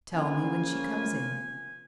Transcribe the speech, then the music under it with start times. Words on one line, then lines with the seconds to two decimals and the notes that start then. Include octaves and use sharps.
"Tell me when she comes in--."
0.11 C#3 F3 A#3 C#4 F4 G#5